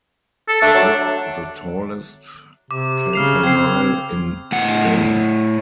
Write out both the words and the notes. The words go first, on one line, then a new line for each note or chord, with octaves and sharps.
Is the tallest campanile in Spain.
A4
A3 D4
F#3
C3 D6
C#3 F6 C7 F7
C4 G#6 C7
A2 F#5